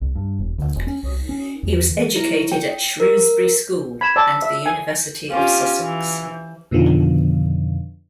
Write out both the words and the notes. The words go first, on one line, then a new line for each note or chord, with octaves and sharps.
He was educated at Shrewsbury School and the University of Sussex.
C2
G2
E1
D2
E1
C#4
C2
C#4
E2
E3
E4
G5
A#4
B5 G#6 E7
D5 A5 E6
E5
G#5
C#4 F4 G4
E3
F2 B2 D3 D#3 F3